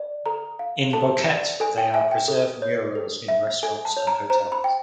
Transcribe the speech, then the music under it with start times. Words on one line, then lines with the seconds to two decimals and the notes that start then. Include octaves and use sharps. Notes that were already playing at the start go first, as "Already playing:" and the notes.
In Boquete they are preserved Murals in restaurants and hotels.
Already playing: D5
0.26 A4 A#5
0.59 F5
0.93 A4 A5
1.26 D5
1.60 A4 G#5
1.78 G5
1.94 E5 G#5
2.11 G5
2.28 A4
2.62 C#5
2.95 A4
3.28 E5
3.63 A4 G#5
3.85 A5
3.97 C#5
4.07 A#5
4.30 C5 A#5
4.52 B5
4.64 G5